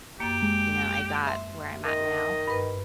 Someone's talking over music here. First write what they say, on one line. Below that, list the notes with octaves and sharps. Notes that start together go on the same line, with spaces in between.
you know, I got where I'm at now,
F#2 A#3 G4
G#3
E5 C6
D#3 D#5
G2 B4